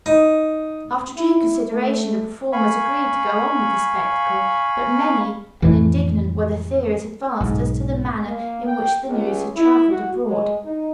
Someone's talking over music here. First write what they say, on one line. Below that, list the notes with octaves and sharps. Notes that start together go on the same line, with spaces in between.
After due consideration the performers agreed to go on with the spectacle, but many and indignant were the theories advanced as to the manner in which the news had traveled abroad.
D#4
E4
A3
F5 G#5 B5 C#6
F2 A2 E3
B1 G#2
A#3
G5
C#2
E4
F#4
G#3
D#4